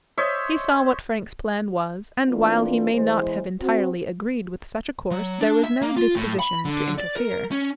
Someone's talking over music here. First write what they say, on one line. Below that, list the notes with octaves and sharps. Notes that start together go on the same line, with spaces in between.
He saw what Frank's plan was, and while he may not have entirely agreed with such a course, there was no disposition to interfere.
C5 C#5 D#5 E5
E3 A3 A#3 C4 D4 F4
E2 E3 G#3 E4 C5
C4 F#4
F#3
D4
E5
A#3
F4
A2
B5
D3
D5
A#4
C#4